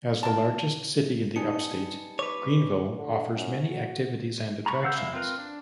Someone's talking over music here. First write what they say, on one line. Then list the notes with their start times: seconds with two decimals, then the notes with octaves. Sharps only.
As the largest city in the Upstate, Greenville offers many activities and attractions.
0.23 A#3 A5
1.36 G3 B3 D#4 G#5 A5 C#7
2.19 B4 C#5 D6
2.97 D3
3.33 F#2
3.68 F#4
4.66 A#5 B5 C#6
4.82 B4 F5 F#5 E6 G6
4.96 G#3 E4 E5 F5
5.13 C4 F4 A#4 B4
5.38 D4